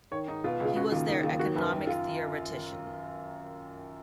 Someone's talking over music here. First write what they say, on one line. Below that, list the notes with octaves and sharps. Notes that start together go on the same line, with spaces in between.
He was their economic theoretician.
D#3 C#5
G#2 D#4
B2 F4
C#2
F4
C#3 F#4
D#2 F4
D#3 D#4
D#2 F4
D#3 F#4
F#2 B4
D#3
F4